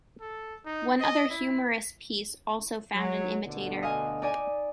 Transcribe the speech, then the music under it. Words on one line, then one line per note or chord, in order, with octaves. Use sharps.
One other humorous piece also found an imitator.
A4
D#4
D#5
E4
F#3
D2 B2 D3
D#5 F5 G#5
D#4 D5 G#5